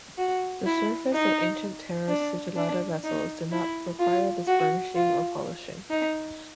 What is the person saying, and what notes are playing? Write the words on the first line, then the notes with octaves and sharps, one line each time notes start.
The surface of ancient terra sigillata vessels did not require this burnishing or polishing.
F#4
E4
D#4
D4
D4
D#4
E4
F4
F#4
F4
D#4